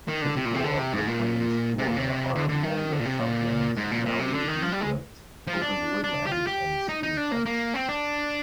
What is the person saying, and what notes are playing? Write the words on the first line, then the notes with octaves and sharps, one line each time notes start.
Typical of the plains flora are mulga shrub-lands, mallee eucalypt, open woodland and spinifex.
D#3
D3
C3
A#2
C3
D3
C3
G#2
A#2
C3
A#2
C3
D3
D3
D#3
D3
A#2
C3
A#2
G#2
A#2
A#2
C3
D3
D#3
F3
G3
G#3
F3
D4
D4
G4
F4
G4
D#4
D#4
D4
A#3
A#3
C4
D4